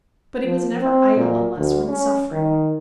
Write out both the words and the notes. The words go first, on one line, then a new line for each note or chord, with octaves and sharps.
But he was never idle unless when suffering.
F3
C4
A#2
D2
C#4
D#3